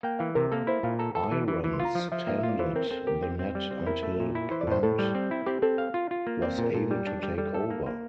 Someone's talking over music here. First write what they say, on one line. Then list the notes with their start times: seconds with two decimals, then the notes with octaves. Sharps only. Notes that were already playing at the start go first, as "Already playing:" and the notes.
Irons tended the net until Plante was able to take over.
0.03 A#3 G5
0.19 E3 F5
0.35 C3 A#4
0.52 A#3 A4
0.67 E4 C5
0.83 A#2 F5
0.99 A4 A#5
1.15 A4 A5
1.31 E3
1.48 E3
1.64 E3
1.73 C6
1.80 F4
1.85 A#5
1.95 F3 F5
2.12 F3 E5
2.27 A#3 E5
2.39 E5
2.43 F4
2.49 D5
2.59 E3 C5
2.76 C4 A#4
2.91 C4 A4
3.07 G4 A#4
3.23 C4
3.39 C4
3.55 G3
3.71 C4
3.87 E4 A#4
4.03 A3
4.20 A#2
4.35 E4
4.51 E3 C5
4.61 D5
4.67 A2 C5
4.83 A2 A4
4.99 G3
5.15 C4
5.31 E4
5.46 C4 G4
5.62 C4 A4
5.78 F5
5.94 F4
6.11 F4
6.27 A#3
6.42 C4 D5
6.58 A#2
6.64 A#4
6.74 A#2 A4
6.91 G3
7.07 D4
7.23 G3
7.38 G3 A4
7.54 A4
7.60 E5
7.70 A#3
7.86 A#3